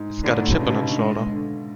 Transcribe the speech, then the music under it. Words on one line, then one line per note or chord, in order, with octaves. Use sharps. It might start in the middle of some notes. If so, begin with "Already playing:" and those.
It's got a chip on its shoulder.
Already playing: G#2
A2 D3
G#2
A2
B2
G#2 C#3
B2
C#3
D3
G#3
D3